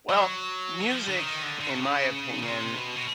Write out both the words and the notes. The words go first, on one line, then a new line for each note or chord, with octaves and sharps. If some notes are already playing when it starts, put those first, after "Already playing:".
Well, music, in my opinion,
F#3
E3
F3
D3
D#3
D3
D3
C#3
C#3
C3
B2
B2